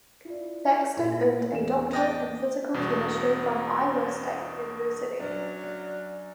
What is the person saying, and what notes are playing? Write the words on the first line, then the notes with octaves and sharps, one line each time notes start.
Thaxton earned a doctorate in physical chemistry from Iowa State University.
E4 F4 D5
A#2 E4 A#4
A1 E2 E7
D#5 G5 D6
E2 G2 B2
F#2 F#3 D4 D5